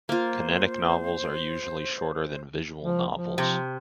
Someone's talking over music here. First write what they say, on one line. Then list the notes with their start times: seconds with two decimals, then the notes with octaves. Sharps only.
Kinetic novels are usually shorter than visual novels.
0.09 A#3 F4 C5
2.81 F3
3.13 F3
3.38 C3